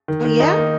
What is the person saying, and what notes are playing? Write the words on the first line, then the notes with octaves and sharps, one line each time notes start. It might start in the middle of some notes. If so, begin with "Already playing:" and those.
Oh, yeah?
D#3
D#3
D#4
A#3